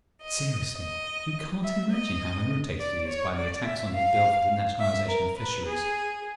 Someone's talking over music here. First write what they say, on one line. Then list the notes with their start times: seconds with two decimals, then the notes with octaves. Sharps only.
But seriously, you can't imagine how irritated he is by the attacks on his Bill for the Nationalisation of Fisheries.
0.21 D#5
0.77 D#5
1.63 E5
1.93 D#5
2.79 D5
3.07 C#5
3.36 D5
3.64 E5
3.93 F5
4.79 E5
5.08 A#4
5.37 B4
5.65 G#4